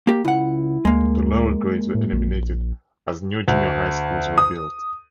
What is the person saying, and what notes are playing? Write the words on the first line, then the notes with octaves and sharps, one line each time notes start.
The lower grades were eliminated as new junior high schools were built.
A#3 G4
C#2 E4 F#5
D2 G#3 A#3
A2
A#1
D2
D#6